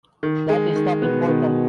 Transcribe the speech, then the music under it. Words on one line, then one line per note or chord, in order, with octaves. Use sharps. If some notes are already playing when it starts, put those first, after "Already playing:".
That is not important.
D#3
G#3
D#3
B2 B3
D#3